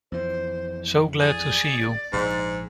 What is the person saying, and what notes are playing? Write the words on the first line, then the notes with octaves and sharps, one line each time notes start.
So glad to see you.
F2 E3 C5
G#4 D5
A#1 G#2